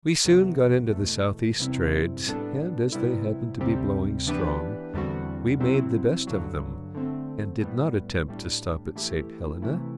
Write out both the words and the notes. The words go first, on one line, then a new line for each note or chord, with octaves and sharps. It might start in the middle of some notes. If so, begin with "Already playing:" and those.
We soon got into the south-east trades, and, as they happened to be blowing strong, we made the best of them, and did not attempt to stop at Saint Helena.
E2 C3 F#3 B3 F#4
E2 B2 A3
E2 C3 G3 C4 E4
A2 G3 B3 D4 A4
C3 G3 B3 E4
D2 C3 G3 C4 G4
E3 B3 D4 G4 B4
E2 D3 G3 C4 F#4
C3 F#3 C4 E4
G2 D3 F#3
D3 A3 C4
A2 G3 B3
A2 G3 D4
E3 A3 E4 G4
C3 E3 A3 E4